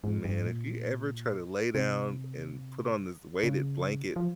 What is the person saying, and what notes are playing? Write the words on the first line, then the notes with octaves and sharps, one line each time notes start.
man, if you ever try to lay down and put on this weighted blanket,
G#2
G2
G#2
A#2
C3
C#3
F3